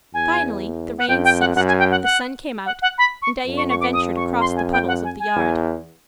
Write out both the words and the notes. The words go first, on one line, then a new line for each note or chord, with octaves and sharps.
Finally the rain ceased, the sun came out, and Diana ventured across the puddles of the yard.
E2 G#5
F#5
F2 G5
G5
F#5
F#2 F#5
G#5
G5
F#5
F#5
F#5
F#5
B5
C#6
F2
C#6
C#6
D6
D#6
C#6
C6
G#5
G5
F#5
G#5
G#5
E2